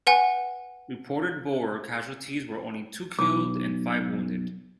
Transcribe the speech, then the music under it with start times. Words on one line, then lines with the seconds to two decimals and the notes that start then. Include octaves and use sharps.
Reported Boer casualties were only two killed and five wounded.
0.07 B4 F#5 G#5
3.19 B1 D6